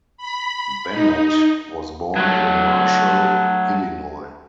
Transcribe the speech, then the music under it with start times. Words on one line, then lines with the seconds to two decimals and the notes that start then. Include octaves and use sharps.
Bennett was born in Marshall, Illinois.
0.17 B5
0.90 D#4
2.16 F#3 A3